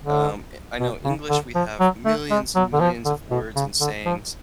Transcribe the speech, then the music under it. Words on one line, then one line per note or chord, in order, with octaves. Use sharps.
Um, i I know English we have millions and millions of words and sayings,
D3
B2
C#3
D3
F3
F#3
A3
G#3
F#3
D3
F3
D3
B2
C#3
D3
F3